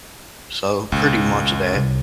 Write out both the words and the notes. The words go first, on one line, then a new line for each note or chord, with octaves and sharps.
So, pretty much of that.
C#2 A#2
C2